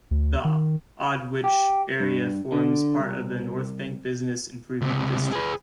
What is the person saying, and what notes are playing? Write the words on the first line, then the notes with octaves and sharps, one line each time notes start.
The Aldwych area forms part of the Northbank business improvement district.
D2
D#3
G4
G2
D3
C2
C#2 C3
G#4 B4